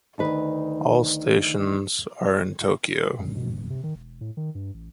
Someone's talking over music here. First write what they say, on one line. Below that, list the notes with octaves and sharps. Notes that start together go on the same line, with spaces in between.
All stations are in Tokyo.
D2 D#3 B4
F#2
B2
D#1
C3
D#3
E1
A2
D#3
G2
A1